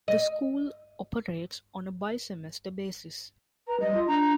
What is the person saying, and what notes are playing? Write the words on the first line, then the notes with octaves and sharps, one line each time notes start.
The school operates on a bi-semester basis.
D#5
B4 A#5
G3 D#5
F4
D4 A#5